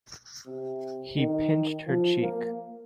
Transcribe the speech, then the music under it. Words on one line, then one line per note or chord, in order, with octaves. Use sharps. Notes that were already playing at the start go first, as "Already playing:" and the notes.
He pinched her cheek.
C3
D#3
F3
A#3